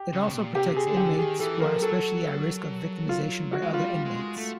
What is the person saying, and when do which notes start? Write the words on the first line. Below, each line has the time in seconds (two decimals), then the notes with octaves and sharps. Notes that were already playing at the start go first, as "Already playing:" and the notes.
It also protects inmates who are especially at risk of victimization by other inmates.
Already playing: G4
0.13 C#3
0.26 B2
0.33 A#2
0.55 C3 G4
0.77 G#4
0.87 D3
0.97 G4
1.19 D#3 G#4
1.40 E3 A4
1.61 F3 A#4
1.82 F#3 A4
3.09 F4
3.53 F#4
3.62 G#3
3.73 G3 F4
4.05 G#3
4.37 A3